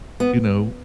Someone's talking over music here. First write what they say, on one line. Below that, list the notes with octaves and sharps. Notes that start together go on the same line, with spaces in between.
you know,
B3